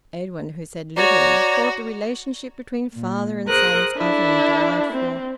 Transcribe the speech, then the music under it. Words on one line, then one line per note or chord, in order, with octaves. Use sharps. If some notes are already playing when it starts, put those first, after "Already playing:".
Edwin, who said little, thought the relationship between father and sons utterly delightful.
F#4 C#5 D5 A#5
A#2
G#4 A#4 C5 D#6 F#6
D4 E4 A4
C4